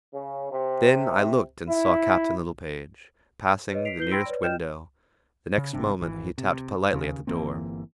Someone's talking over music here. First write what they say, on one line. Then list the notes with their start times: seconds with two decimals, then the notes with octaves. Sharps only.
Then I looked, and saw Captain Littlepage passing the nearest window; the next moment he tapped politely at the door.
0.14 C#3
0.52 C3
1.68 E4
3.72 B4 C#5 D#5
3.85 B6 C7 D7 F7
3.98 E4 B4 G6 C7 G7
4.11 G5 B5 C6 E6 A#6 D7
4.26 B4 C#5 D5
4.43 F4 D#5 G5 F6 G6 E7
5.58 C#3
5.73 G#1 G2 C3 D4
6.01 G#1 E3
6.38 C3
6.93 D#2 C#3
7.27 G1 E3 A#3 C4